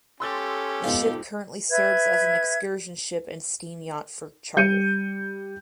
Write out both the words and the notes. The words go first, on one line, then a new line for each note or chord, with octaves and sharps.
The ship currently serves as an excursion ship and steam yacht for charter.
C#4 G4 A4 C6 E6 A6
F2 G#2 B2 F4
B4 E5 G#6
G3 G6 C#7 D#7